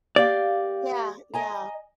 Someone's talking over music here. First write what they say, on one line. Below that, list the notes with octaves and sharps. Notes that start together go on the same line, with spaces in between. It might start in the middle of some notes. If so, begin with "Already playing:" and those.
Yeah, yeah.
A#3 G4 D5 F5
D#5 G#5 A#5